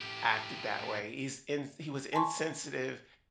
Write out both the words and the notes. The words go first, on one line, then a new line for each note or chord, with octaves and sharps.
acted that way. He's in th he was insensitive
A2 G4
G#5 A5 C6 C#6